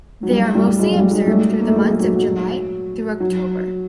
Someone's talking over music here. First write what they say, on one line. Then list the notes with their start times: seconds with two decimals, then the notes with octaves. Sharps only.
They are mostly observed through the months of July through October.
0.23 F#3
0.31 G3
0.55 G3 A3
0.79 F#3 G#3
0.95 G3
1.11 F#3 G#3
1.27 G3 A3
1.61 A#3
1.68 A3
1.76 F#3 G#3
2.00 F#3
2.16 F#3
3.20 F#3